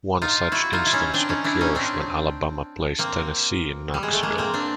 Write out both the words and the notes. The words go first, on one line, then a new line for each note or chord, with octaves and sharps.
One such instance occurs when Alabama plays Tennessee in Knoxville.
D#4 F4
E4 F#4
D#4 F4
E4
C#4 D#4
C4 D4
C#4 D#4
D4 E4
C#4 D#4
C4 D4
A#3 C4
G3
G#3
A3
G#3 A#3
A#3 C4
C4 D4